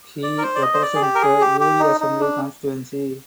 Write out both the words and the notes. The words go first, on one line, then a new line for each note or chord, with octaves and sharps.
He represents the Uri Assembly Constituency.
D5
A#4
C5
D5
D#5
C5
D5
G#4
G4
A#4
G#4
G4
G4
D#4
D#4
D4